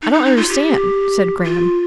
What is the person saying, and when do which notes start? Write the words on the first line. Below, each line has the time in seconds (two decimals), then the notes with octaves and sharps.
"I don't understand," said Graham.
0.02 D#4
0.13 D#4
0.25 D#4
0.37 F4
0.49 G4
1.44 F4